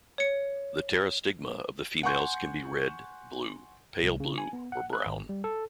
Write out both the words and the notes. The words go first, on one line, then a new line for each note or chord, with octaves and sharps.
The pterostigma of the females can be red, blue, pale blue or brown.
C#5 C#7
F#5 G#5 C6 C#6 G6
C2
C#3
G#5
B3
F#5
F#6
G#1
G3
A4